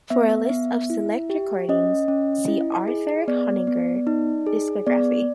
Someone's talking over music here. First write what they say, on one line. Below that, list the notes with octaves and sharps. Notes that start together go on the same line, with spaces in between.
For a list of select recordings, see Arthur Honegger discography.
B3 E5
B3
E4
G4
C#4 D#5
C#4
E4
G#4
B3 D5
B3
D#4
G#4
B3 D5